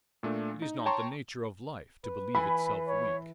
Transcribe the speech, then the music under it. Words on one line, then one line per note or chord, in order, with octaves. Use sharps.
It is not the nature of life to believe itself weak.
A#2 A3 D4
D#4
C#5 G5 A5 A#5 C6 C#6
B4
E3 E4 G#5 B5
C#5